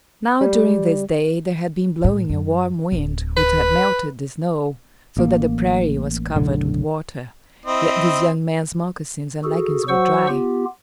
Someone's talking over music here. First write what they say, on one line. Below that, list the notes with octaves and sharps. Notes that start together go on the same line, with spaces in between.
Now during this day there had been blowing a warm wind which had melted the snow, so that the prairie was covered with water, yet this young man's moccasins and leggings were dry.
G3
A2
F#2
D1
B4
A1 A#3
F#1 B1 A2 D3
C4 E4 D#5
F#4 G#4 A4
F#3 F#4 C5 F#5 C#6 E6
B3 F4 G4